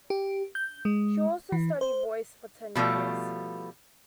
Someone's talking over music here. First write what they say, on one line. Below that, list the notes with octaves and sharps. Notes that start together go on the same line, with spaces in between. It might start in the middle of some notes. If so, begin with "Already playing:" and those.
She also studied voice for ten years.
G4
G6
G#3
E3
C5
B2 F3 G3 A3